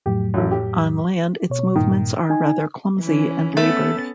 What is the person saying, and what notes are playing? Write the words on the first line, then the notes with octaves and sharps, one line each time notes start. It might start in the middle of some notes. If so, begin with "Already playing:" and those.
On land its movements are rather clumsy and laboured.
F2 A2 F#3 G4
A1 F#2
G4
B2 C#5
G2 A#2 D#3
D#4 G#5
E3 C#4
A3 B3 C#4 A6